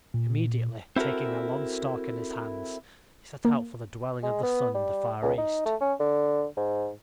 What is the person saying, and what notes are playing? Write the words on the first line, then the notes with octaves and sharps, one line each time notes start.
Immediately, taking a long stalk in his hands, he set out for the dwelling of the sun in the far east.
A#2
C4 E4 F#4 A4 A#4
A#3
G#3
B3
G3
C#2
D#4
A3
C#4
D3
G#2